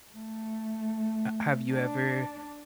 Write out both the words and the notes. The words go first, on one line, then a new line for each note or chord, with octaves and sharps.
A have you ever
A3
D4